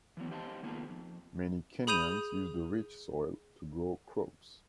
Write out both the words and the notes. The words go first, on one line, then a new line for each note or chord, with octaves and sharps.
Many Kenyans use the rich soil to grow crops.
E3 F#3 B3
D#4 G4 C5 D#5 F5 A5
D#3 A#3 B3 D#4 F4 G#4
F2
G#4 B5 D#6 G6 D#7 F7